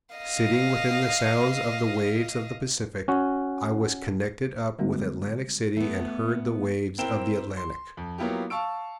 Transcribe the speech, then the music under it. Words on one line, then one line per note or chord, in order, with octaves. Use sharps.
Sitting within the sound of the waves of the Pacific, I was connected up with Atlantic City and heard the waves of the Atlantic.
D#5 F5
C#4 F#4
D3 G3 G#3 A#3 C4 F#4
A3 B3
C4 E4 A#4 G5 E7 G7
C6
F2
F#3 A#3 B3 E4 F4 G4
F5 A5 C#6 E6 D7